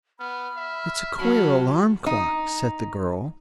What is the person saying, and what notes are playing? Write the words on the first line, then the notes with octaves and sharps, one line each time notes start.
"It's a queer alarm clock," said the girl.
B3 B5 F6
E5
F#3 A5 B5
D#4